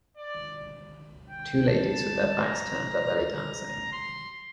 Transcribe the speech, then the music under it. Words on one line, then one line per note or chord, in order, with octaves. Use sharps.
Two ladies with their backs turned are belly dancing.
D5
G5
A5
A#5
A#5
C6